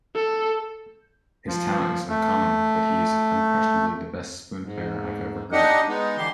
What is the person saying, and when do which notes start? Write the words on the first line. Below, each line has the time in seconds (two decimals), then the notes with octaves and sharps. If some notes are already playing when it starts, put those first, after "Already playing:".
His talent is uncommon, but he is unquestionably the best spoon player I've ever heard.
0.15 A4
1.48 F3
2.09 A3
4.63 G#2
5.52 D4 D#4 G4 D#5 F#5
5.88 G#3 B3 D#4
6.17 D3 E3 G4 C6